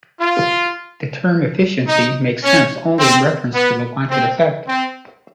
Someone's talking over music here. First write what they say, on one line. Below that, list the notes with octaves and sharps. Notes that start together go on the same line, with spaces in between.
The term "efficiency" makes sense only in reference to the wanted effect.
F4
D#4
C#4
C4
B3
C4
C4